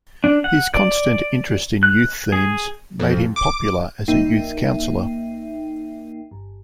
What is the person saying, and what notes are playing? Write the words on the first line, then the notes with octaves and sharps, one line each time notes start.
His constant interest in youth themes made him popular as a youth counselor.
D4
F#5
D5
F#6
G#4
F2
D6
A#1 A#3 D#4 E5 G5 C7
G1